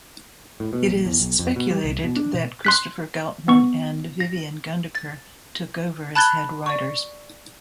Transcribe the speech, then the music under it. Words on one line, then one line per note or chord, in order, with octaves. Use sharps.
It is speculated that Christopher Goutman and Vivian Gundaker took over as Head Writers.
A2
B2
A#1
E2
B1
F2
B2
G3
C2
B2
D4
B2
C6 F#6 B6
B3 C#6
A#6
A6
A5 B5 F#6 G#6 A6 G7
D5 C#6